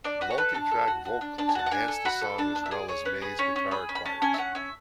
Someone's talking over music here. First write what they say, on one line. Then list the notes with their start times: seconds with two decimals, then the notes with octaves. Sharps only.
Multi-tracked vocals enhanced the song as well as May's guitar choirs.
0.04 D4 D5
0.21 F#4 B4
0.30 C#5
0.38 A4 B4
0.54 D4 A5
0.71 A4
0.88 F#4
1.05 F#4
1.21 D4
1.38 D4 A5
1.49 G#5
1.55 F#4 A5
1.66 F#5
1.71 D4 G#5
1.88 A4
2.05 F#4 B5
2.21 A4
2.38 D4 A5
2.55 D4
2.66 E5
2.71 G#4 D5
2.88 G#4 C#5
3.05 C#4 B4
3.22 G#4 B4
3.39 C#4 C#5
3.56 C#4
3.71 G#4 B5
3.89 C#4
3.95 B5
4.06 C#4 A5
4.22 C#4 G#5
4.34 E5
4.38 C#4 F#5
4.55 C#4 E5